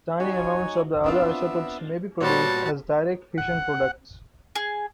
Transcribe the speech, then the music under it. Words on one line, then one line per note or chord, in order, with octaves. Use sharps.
Tiny amounts of the other isotopes may be produced as direct fission products.
D#4 F#4 C#5 G#5
B3 C4 D4 F4 E5
A#2 G3 B3 F#4 C5 C#5 A5
F#5
G#4